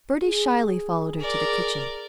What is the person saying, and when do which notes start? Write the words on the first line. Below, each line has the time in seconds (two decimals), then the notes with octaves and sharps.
Bertie shyly followed her to the kitchen.
0.20 G#4
1.20 A#4 D5